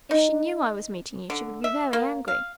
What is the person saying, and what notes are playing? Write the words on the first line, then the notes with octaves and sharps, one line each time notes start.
If she knew I was meeting you she would be very angry.
D#4
D3
E5
A#3
F5